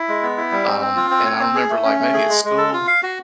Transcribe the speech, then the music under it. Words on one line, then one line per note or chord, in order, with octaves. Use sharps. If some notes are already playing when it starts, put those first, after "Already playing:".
Um, and I remember, like, maybe at school,
Already playing: E4
G#3
B3
E4
G3
C4
C4
F4
C4
C#5
C4
G#4
A3
C#4
A3
G#4
G#3
G#3
A4
F4
F5
F#4